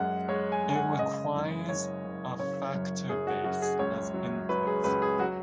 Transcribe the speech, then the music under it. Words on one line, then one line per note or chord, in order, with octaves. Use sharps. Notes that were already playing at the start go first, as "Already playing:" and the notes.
It requires a "factor base" as input.
Already playing: F#2 G#3 F#5
G#3 C#5
G#5
G#3
G#5
F#5
C#3 D#5
F#1
F#1 C#5
F#1
C#3 C#5
F#2
F#2 G#4
F#4
F#2 F#4
G#4
C#2 C#5
F#3
F#3 B4
G#4
C#2 B4
G#4
F#3 F#4